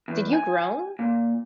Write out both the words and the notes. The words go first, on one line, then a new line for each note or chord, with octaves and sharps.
Did you groan?
E2
G#5
A#2